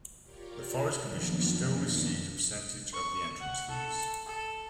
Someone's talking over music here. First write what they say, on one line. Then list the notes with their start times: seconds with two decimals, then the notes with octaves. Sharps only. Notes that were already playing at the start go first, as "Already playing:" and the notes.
The Forest Commission still receives a percentage of the entrance fees.
0.21 F4 G4 A#4 C#5 D5
1.03 F#2 D#3 F3 A#3 B3 D4
2.93 C#6
3.41 F#5
3.70 A4
4.26 A4